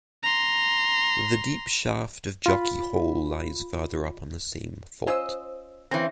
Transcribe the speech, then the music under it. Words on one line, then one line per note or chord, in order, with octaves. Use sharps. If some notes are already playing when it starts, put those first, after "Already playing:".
The deep shaft of Jockey Hole lies further up on the same fault.
A#5 C6
F4 B5
C#4 F4 C5 D#5 E6
C#3 E3 C4 A#6